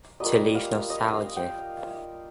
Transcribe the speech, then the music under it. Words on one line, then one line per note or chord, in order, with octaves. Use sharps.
To leave nostalgia.
G3 A#3 F4 D#5
F5
D#5
F5
G5
F5